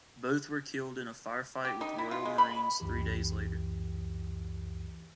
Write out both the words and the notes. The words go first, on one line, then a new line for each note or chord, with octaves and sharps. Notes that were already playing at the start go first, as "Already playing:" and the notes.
Both were killed in a firefight with Royal Marines three days later.
G4
D#4
E4
F4
G#3
B5
C#2 F#2 E3 G4